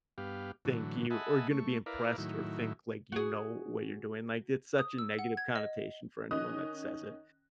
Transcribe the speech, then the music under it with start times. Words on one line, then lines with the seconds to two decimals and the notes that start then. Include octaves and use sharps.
think you or gonna be impressed or think, like, you know what you're doing. Like, it's such a negative connotation for anyone that says it.
0.18 G2 B3 G4 F5
0.65 A2 D3 E3 F#3
1.10 D#5 E5 F#5 G#5 A5 B5
1.51 A3 C#6
1.86 E4 A#4 B4 D5 F5
2.18 A2 D#3 F#3 E4
3.12 F#4 G#4
4.78 D#6
4.98 E6
5.19 F#5
5.37 G#6
5.56 D#5
6.31 D#3 C#4 D#5 D#6 F#6